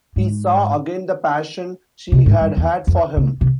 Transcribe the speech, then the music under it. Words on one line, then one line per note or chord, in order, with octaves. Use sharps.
He saw again the passion she had had for him.
G#2
C3
G#2
G2
E2
F2
C#3
C3